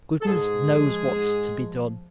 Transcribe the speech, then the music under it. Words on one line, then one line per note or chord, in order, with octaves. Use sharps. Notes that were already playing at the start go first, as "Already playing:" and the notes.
Goodness knows what's to be done.
A4
G#2 G#3 G#4
F3
G#2
F3